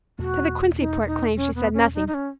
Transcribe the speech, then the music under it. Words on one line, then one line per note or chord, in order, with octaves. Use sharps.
To the Quincy-port claim she said nothing.
E2 B2 A3 F#4
D#4
D#4
C#4
B3
C#4
D#4
D#4
C#4